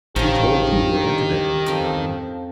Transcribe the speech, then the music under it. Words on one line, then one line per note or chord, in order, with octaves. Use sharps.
"Who told you we were intimate, Maximilian?"
A1 D#3 F3 C#4 G4
G3 D4
F2 F3